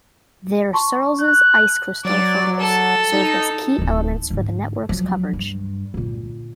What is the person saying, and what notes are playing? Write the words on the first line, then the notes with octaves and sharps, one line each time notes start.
There Searls' ice crystal photos served as key elements for the network's coverage.
A5 C6 C#6
F#6
F#3 D5
A4
D#4
D1 D#3
G#2 D3
F3 F#3
G2
A#2 D3